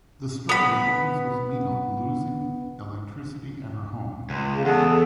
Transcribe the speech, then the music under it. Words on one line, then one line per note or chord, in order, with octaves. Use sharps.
The story opens with Meenal losing electricity at her home.
B3 B5
C#2
C#3
E2 G#4 A4 F#5
A4